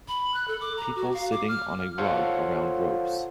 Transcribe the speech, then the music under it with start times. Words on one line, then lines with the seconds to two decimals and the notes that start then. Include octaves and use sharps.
People sitting on a rug around ropes.
0.08 B5
0.34 F#6
0.48 A4
0.61 D6
0.77 A#5
0.96 F#4
1.14 F5
1.31 D6
1.48 F6
1.98 F4 A4 C5 C#5 F5 F#5